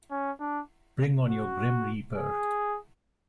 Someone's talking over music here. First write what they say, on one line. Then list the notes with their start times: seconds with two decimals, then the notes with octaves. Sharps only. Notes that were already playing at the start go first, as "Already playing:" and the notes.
Bring on your grim reaper!
0.10 C#4
0.40 D4
1.28 F#4
2.16 G#4